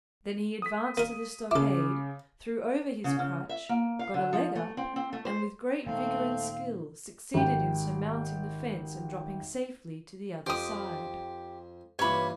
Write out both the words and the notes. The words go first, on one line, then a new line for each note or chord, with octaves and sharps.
Then he advanced to the stockade, threw over his crutch, got a leg up, and with great vigour and skill succeeded in surmounting the fence and dropping safely to the other side.
D#6 B6
A#3 A#4 D#7
C#3 E4 A4 D6
C#3
C#3
E5
A#3
F5
D3
F3
A3
C4
C4
A3
C5
A#2 D#3 A3 C4 F5
G#1 G4 G5
F2 G4 C5 D#6
G2 A#2 E3 C#5 B5